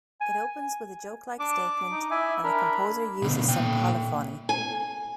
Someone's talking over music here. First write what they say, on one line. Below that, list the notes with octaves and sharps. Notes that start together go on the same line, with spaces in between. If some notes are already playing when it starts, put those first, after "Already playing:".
It opens with a joke-like statement, and the composer uses some polyphony.
G#5
D4 D6
D#4
E4 E5 G#5
D4 A#4 B5
B2 D3
A#2 G5
G#5